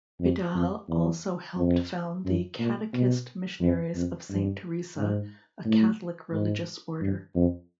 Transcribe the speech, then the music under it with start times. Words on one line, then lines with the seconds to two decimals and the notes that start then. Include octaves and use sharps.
Vidal also helped found the Catechist Missionaries of Saint Theresa, a Catholic religious order.
0.21 F2
0.54 F2
0.89 E2
1.57 F2
2.25 F#2
2.59 A#2
2.93 B2
3.61 F2
3.95 F2
4.29 G2
4.97 G#2
5.65 A2
6.33 G#2
7.01 G2
7.35 F2